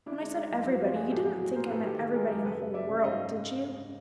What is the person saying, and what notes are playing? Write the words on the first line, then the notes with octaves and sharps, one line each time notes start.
When I said everybody, you didn't think I meant everybody in the whole world, did you?
D3 D4 E4
G#3 D4
G#3 D#4
F#2 D#4 F4
F3 E4 F#4
G#3 F4 G4
G#3 F#4 G#4
A2 G4 A4
F#3 F#4 G#4
A2
A2 A#4 C5
A2 A4 B4
D#3 G4 A4
D#3
G#3 G#4 A#4
F#2 G4 A4
C#3 A4 B4
G3
G3 D5 E5
C#3
G#2 D#5 F5
G#3
G#3